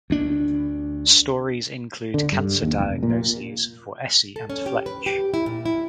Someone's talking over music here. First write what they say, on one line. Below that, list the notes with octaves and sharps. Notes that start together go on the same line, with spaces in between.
Stories include cancer diagnoses for Essie and Fletch.
D2 D4
D3
G2
D#2
F1
A#2
A4
C#4
G4
B4
G4
E4
A#2
E4